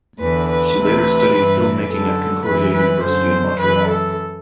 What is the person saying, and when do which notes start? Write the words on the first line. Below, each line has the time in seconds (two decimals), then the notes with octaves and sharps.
She later studied filmmaking at Concordia University in Montreal.
0.21 E2 D3 B4
0.49 B4
0.77 D2 C3 E3
1.34 G2 E3
1.90 F#2 D3 A4
2.46 F#2 E3 B4
2.74 B4
3.02 F#2 D3 C5
3.59 F#2 E3 B4
3.87 A4